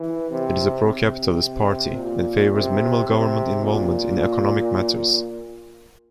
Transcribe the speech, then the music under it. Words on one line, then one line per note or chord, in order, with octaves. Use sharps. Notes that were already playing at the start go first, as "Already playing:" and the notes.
It is a pro-capitalist party and favours minimal government involvement in economic matters.
Already playing: E3
C3
C3
A#2
C3
C3
A#2